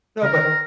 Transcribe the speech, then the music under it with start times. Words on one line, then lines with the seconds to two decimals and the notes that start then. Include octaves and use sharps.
No. But
0.22 C#3 A#4
0.34 D#3
0.46 D#3